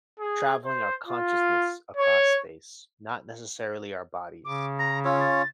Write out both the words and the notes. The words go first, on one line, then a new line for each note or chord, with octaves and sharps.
traveling our consciousness across space, not necessarily our bodies.
G#4
C5
F4
C#5
C#3 D6
A#5 A#6
C#4 F4 C#5 E6
A6